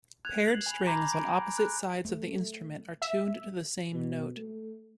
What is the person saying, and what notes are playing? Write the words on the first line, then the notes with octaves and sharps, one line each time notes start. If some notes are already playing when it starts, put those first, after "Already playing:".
Paired strings on opposite sides of the instrument are tuned to the same note.
F#6 G#6 F7
C7 F#7
G#5 B5 F7
A#5 B5 D6 G6 G#6 A#6
D7
B5 F#6
A3
E5
B2
A3